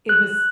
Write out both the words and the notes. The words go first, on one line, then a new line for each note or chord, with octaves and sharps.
it was
F#6